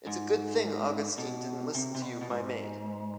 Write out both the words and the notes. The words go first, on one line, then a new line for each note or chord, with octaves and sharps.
It's a good thing Augustine didn't listen to you, my maid!
G#2
B2
C3
C3
B2
B2
G#2